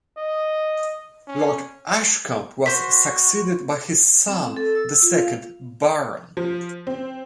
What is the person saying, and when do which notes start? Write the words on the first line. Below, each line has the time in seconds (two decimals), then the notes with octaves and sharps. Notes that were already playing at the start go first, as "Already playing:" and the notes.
Lord Ashcombe was succeeded by his son, the second Baron.
0.18 D#5
1.27 C#4
2.66 F#4 C5 C6 B6
4.28 C4
4.56 A4
4.75 E6
5.03 F4
5.17 F5
6.37 F3
6.87 C4